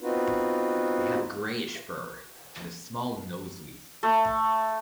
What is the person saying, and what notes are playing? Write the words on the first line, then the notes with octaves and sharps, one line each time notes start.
They have greyish fur, and a small nose-leaf.
B3 C4 D#4 F4 F#4 B4
A3